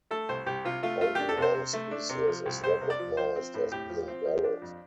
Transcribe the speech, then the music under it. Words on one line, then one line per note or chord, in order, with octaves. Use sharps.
Only one species is recognized as being valid.
A3 A4
C2 C5
C2 G4
C3 F4
A3 F4
A3 F4
D4 G4
A4
C3
C5
C3
A3
D4
C3
F3
C2
C2 C5
C3
D5
F3
F3 C5
C4
A2
A2 G4
F3
C4
F3
D4
F2